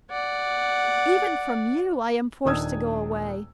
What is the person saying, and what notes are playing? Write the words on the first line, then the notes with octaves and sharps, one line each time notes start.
Even from you I am forced to go away.
D5 F#5
D#1 D#3 D4 D#6 E6 G#6